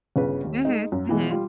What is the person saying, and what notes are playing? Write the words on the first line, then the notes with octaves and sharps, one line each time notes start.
Mhm, mhm.
G1 C#3 B4
D#2
G#3 D#4
F#2
B2 E3 G#3
G3 F4